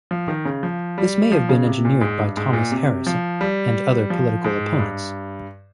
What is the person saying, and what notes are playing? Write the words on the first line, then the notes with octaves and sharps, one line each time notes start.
This may have been engineered by Thomas Harrison and other political opponents.
F3
D#3
C#3
F3
G3
F3
C#3
C3
A#2
G#2
G2
G#2
A#2
C3
F3
G3
F3
G#2
G2